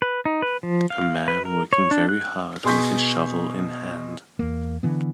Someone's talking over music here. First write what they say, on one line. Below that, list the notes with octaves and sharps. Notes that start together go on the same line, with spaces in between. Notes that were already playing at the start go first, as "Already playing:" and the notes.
A man working very hard with his shovel in hand.
B4
D#4
B4
F3
F5
B4
A#4
C#5
D4
F#6
B2 G#4 C6 C#6 G6 B6
E2 A#3
D3 E3 B3